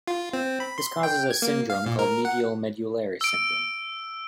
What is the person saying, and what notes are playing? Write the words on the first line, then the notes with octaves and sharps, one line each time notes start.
This causes a syndrome called medial medullary syndrome.
F4
C4
B5
C6
G5
G#6
A#3
F5
A#2
A#4
F#5
E6 D7